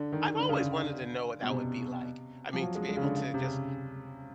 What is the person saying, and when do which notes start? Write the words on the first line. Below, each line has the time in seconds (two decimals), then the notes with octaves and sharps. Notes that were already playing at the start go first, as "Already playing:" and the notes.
I've always wanted to know what that would be like, I mean, to be able to just
Already playing: D3
0.12 D#3
0.39 D3
0.49 C#3
0.58 D3
1.42 B2
1.50 C3
2.53 F3
2.62 F#3
2.75 G#3
2.89 G#3
2.97 C#3
3.03 D3
3.16 C#3
3.34 C3
3.44 C#3